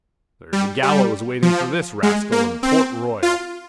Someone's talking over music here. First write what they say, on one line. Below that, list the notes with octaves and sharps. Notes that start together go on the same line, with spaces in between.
"There's a gallows waiting for this rascal in Port Royal."
G3
G3
F3
G#3
A#3
C4
F4